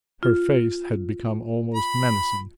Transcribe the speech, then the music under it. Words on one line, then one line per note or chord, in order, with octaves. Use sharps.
Her face had become almost menacing.
F4
B5